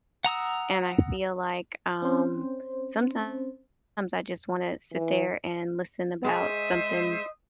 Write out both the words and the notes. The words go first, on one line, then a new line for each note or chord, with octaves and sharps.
And I feel like, um, sometimes I just wanna sit there and listen about something,
F#5 A#5 D#6 E6
C4 C#4 C5
E3
G#3 G#4 C5 C#5 D#5 E5 D#6